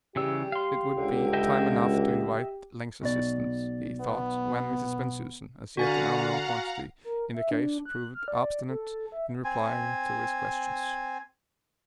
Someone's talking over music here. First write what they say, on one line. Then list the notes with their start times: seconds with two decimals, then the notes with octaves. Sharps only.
It would be time enough to invite Link's assistance, he thought, when Mrs. Bensusan--as yet an unknown quantity in the case--proved obstinate in replying to his questions.
0.16 C#3 E3 G3 G4 E6
0.52 F5 C6
0.97 C#2 D3
1.33 D#5 E5 G5
3.01 B1 B2 D5
4.01 B3
5.77 D3 F#4 F5 F#5 G#5 A#5 A6
7.04 A#4
7.34 E5
7.51 D4
7.85 F#6
8.15 F6
8.28 D5
8.69 A4
9.12 E5
9.44 C4 G#5